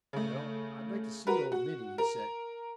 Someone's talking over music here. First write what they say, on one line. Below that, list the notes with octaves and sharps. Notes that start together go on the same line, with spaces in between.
"Well, I 'd like to see old Minty," he said.
C#3 A3
F#4 A#4 B4
F#4
A#4